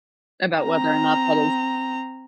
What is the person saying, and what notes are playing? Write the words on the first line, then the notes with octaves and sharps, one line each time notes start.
about whether or not that is
C4 A#5